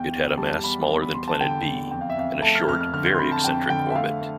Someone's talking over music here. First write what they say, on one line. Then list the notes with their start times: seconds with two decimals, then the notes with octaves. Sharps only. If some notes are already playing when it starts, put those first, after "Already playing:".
It had a mass smaller than planet b and a short, very eccentric orbit.
Already playing: E2 G5
0.12 E2
0.38 G3 A5
0.63 E2 B5
0.89 E2
1.02 B5
1.14 E2 C6
1.28 A5
1.41 D3 G5
1.66 E2
1.91 F2 G5
2.01 F5
2.10 E5
2.17 F2 F5
2.42 A3 A5
2.55 F6
2.68 F2 F6
2.81 F6
2.94 D3 F6
3.06 G6
3.14 C6
3.19 F2 B5
3.32 A5
3.44 F2 G5
3.70 D3 G5
3.90 E5
3.96 A3 F5
4.21 A3